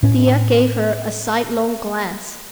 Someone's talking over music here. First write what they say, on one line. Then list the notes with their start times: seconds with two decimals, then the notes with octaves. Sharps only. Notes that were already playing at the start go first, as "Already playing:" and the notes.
Thea gave her a sidelong glance.
0.03 A2 C#4